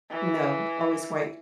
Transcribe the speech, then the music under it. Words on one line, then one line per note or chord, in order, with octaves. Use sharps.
No, always white.
E3